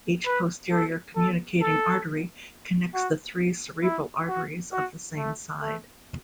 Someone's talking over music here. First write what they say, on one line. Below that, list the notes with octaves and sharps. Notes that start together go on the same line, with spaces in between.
Each posterior communicating artery connects the three cerebral arteries of the same side.
B4
A4
A4
A4
F#4
E4
F#4
F#4
A3
A3